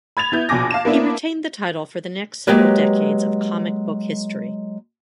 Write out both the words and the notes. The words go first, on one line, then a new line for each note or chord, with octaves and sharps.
He retained the title for the next several decades of comic book history.
B5 G#6 A6 F7
B3 E4 G6
A#1 B2 G#5 D6 A#6
F5 A5 E7
A#3 B3 D4 E4
F#3 G#3 A#3 G4 B4 C#5